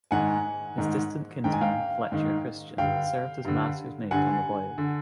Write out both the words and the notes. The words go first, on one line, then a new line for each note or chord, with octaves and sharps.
His distant kinsman Fletcher Christian served as master's mate on the voyage.
G#2 D#3 F#5 G#5
G#2 D#3
G#2 D#3 G5
G#5
F5 G5
G#2 D#3
G2 D3 F5 G5
G2 D3
G2 D3 F#5 G#5
D3